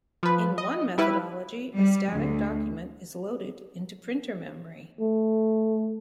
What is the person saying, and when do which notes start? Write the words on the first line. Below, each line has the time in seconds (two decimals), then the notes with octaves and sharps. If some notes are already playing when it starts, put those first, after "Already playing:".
In one methodology, a static document is loaded into printer memory.
0.23 F3 B4
0.58 D#5
0.98 G3 E4 B4
1.77 G3
2.15 D2
5.01 A3